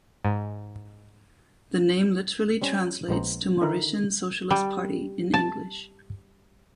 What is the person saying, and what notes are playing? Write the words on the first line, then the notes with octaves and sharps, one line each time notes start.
The name literally translates to "Mauritian Socialist Party" in English.
G#2
G3 C4 C#4
A#1 G#3 B3 C5 A#5
D3 D#3 D#4 E4 A#4
G3
A5